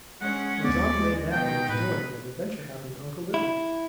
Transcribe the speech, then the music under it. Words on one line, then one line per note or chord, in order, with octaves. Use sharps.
It was on the way back from the store that an adventure happened to Uncle Wiggily.
G#3 C#4 F#5
D#2 B3 D5
G#3
G#2 B2 D#3 G5
A2 B4
E4